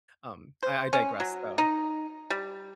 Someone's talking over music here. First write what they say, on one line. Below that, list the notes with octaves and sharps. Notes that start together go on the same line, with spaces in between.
um, I I digress, though,
C5
C#4
F#3
D#4
G3